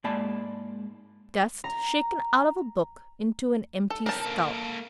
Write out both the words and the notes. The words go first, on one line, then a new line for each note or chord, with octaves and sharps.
Dust shaken out of a book into an empty skull.
G#2 G#3 A#3 D5 A5 B5
A#5
A4
C4 C#4 A#4 A5
A#3 A4